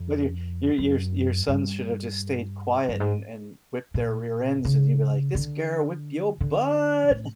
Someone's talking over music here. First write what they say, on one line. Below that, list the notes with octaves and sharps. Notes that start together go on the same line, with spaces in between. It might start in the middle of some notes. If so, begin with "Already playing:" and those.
But your your your your your sons should have just stayed quiet and and whipped their rear ends, and you'd like, "This girl whip yo butt!"
Already playing: F2
F#2
G2
G2
G#2
A#2
C#3
D3
D3
A2